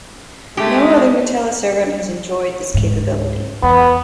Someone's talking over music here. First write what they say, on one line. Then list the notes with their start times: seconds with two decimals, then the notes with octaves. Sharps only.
No other gnutella servant has enjoyed this capability.
0.57 G#3 A3 G4
2.74 C#2 G#2
3.63 E2 B3